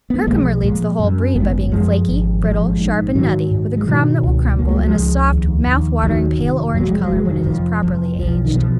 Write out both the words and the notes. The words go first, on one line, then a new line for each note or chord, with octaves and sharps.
Herkimer leads the whole breed by being flaky, brittle, sharp and nutty, with a crumb that will crumble, and a soft, mouth-watering pale orange color when it is properly aged.
B3
A#3
B1 F3 G#3
A#2 F3 G#3
F#2
G#1 G#3 B3
F#2 F3 G#3
G#1
A#1 F3 G#3
G#2
G#2 D#3 F#3
G#2
G#3
B2 D#3 F#3
C#2
C#2 A#3
G#3
F#3
F3 G#3
C#2
D#2
D#2
D#2 D#3 F#3
F1
F2 F#3
G#3
F#3
F1 G#3
D#3 F#3
D#3
F2 F3
F1 F3
B1 F3
D#3
B2 F3